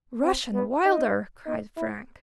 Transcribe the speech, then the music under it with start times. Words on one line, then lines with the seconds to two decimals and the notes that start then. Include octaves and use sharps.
"Rush & Wilder!" cried Frank.
0.22 C4
0.54 B3
0.85 D#4
1.46 D#4
1.77 E4